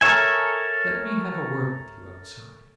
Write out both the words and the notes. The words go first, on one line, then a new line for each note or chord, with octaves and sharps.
Let me have a word with you outside.'
A4 A#4 C#5 E5 G#5